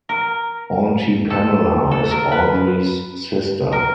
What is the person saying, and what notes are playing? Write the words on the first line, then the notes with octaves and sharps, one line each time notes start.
Auntie Pamela is Audrey's sister.
A#4
A4
A4
A#4
B4
A#4